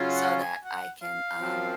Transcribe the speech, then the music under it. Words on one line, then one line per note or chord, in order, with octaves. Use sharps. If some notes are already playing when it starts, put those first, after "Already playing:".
so that I can, um
Already playing: C#3 F#3 C#4 F4
F#5
G#5
F#5
F5
F#2 F3 C4